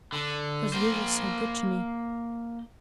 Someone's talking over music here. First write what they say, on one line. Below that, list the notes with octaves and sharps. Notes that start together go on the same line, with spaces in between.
"Cause you was so good to me."
D3
A#3 C5